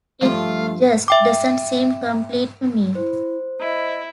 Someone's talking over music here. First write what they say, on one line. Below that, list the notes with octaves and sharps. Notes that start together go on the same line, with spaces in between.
It just doesn't seem complete to me.
G2 F3 A3 F4
E5 G5 D6
E4 C5
E4 D#5